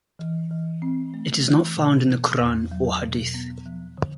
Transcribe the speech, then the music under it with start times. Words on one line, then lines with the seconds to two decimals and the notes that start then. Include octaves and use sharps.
It is not found in the Quran or Hadith.
0.19 E3
0.51 E3
0.82 C4
1.14 A3
1.45 E3
1.77 B2
2.08 B3
2.40 E2
2.71 F#3
3.03 B2
3.34 B3
3.66 F3
3.97 D3